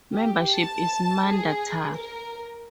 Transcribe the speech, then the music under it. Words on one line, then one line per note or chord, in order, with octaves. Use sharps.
Membership is mandatory.
G4
A5
G#4
A#4